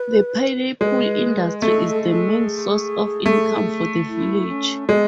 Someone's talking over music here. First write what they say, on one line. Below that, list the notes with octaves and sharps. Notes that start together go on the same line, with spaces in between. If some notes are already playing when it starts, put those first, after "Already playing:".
The pineapple industry is the main source of income for the village.
Already playing: B4
G#3 B4
A3 A4
A4
G#4
A3
E4
C#4
G#3 B3